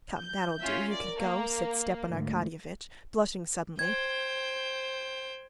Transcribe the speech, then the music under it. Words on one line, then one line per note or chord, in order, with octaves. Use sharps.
"Come, that'll do, you can go," said Stepan Arkadyevitch, blushing suddenly.
G6
C#4 F4 E5
A#4 D5
A#3
D2 G#2
C5 G5 G#6